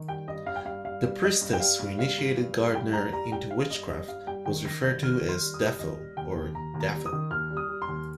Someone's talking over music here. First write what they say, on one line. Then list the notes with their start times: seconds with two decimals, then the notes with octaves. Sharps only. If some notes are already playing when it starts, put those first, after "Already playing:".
The priestess who initiated Gardner into witchcraft was referred to as "Dafo" or "Daffo".
Already playing: D#3
0.08 G3 G5
0.28 G2 D#5
0.46 G2 F5
0.56 G5
0.65 G2 F5
0.84 G2 F5
1.04 G3
1.23 G3 D#5
1.41 G2
1.53 G5
1.60 G3 F5
1.79 G2
1.99 G3 F5
2.18 G2
2.37 G2
2.56 G3
2.75 G2 G5
2.93 G2 A#5
3.13 G3 A#5
3.32 G3 G5
3.51 G3 F5
3.70 G2 D#5
3.89 G3 D#5
4.08 G2 F5
4.27 G3 G5
4.46 D#3 G5
4.65 D#3 A#6
4.84 G2 G6
5.03 D#3 F6
5.21 D#3
5.29 C6
5.41 G3
5.54 D#6
5.60 G2
5.79 D#2 D#5
5.99 G3
6.17 D#2 G5
6.36 D#2
6.55 D#2 A#5
6.74 D#2
6.80 A#5
6.93 G3
7.06 D#6
7.13 D#3
7.31 D#2 F6
7.50 G3
7.57 D#6
7.69 G3
7.82 C6
7.88 D#2